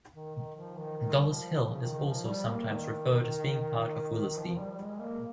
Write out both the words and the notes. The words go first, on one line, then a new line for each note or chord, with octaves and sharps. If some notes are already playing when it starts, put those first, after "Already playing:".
Dollis Hill is also sometimes referred as being part of Willesden.
D#3
D#3
F3
D#3
D#3
G3
F3
F3
C#3
D#3
F3
G3
A#3
D#3
F3
G3
G3
G#3
A#3